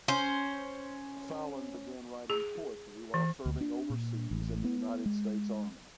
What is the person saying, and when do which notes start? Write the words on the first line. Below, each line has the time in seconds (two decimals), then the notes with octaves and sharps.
Fallon began writing poetry while serving overseas in the United States Army.
0.08 C#4 C5
2.30 G#4
3.14 E3
3.46 D2
3.61 D4
3.90 A#2
4.31 A1
4.64 B3
5.06 G#3